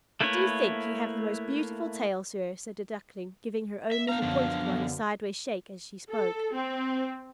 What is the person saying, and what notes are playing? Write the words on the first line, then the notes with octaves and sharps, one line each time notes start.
"I do think you have the most beautiful tail, sir," said a Duckling, giving her own little pointed one a sideways shake as she spoke.
A3 A#3 E4 B4 C#5
E5
B3 D4 F5 A#5
F#2 D3 F3 D4
A4
C4